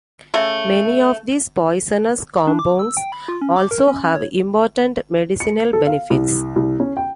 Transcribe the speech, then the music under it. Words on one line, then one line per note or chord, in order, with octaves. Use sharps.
Many of these poisonous compounds also have important medicinal benefits.
C#3 A3
D4
D6
E6
G5
B5
F4
C#4
D6
A#4
C#4
C#4
C#5
C#7
A4
F5
C2
C2
C#4
G5